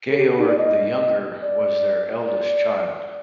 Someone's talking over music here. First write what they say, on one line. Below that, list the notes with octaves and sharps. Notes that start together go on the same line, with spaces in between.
Georg the Younger was their eldest child.
A4
G4
G4
D#4
D5
D#5
D5
D5